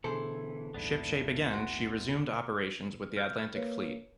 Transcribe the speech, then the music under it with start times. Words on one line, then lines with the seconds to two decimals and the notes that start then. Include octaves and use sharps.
Shipshape again, she resumed operations with the Atlantic Fleet.
0.04 B2 D3 E3 G#4 A4 C5
0.74 A#1 D#2 G#2 B3 D4 E4
1.51 G#3 F#4
3.17 F6 G6
3.55 A#3 B4 C#5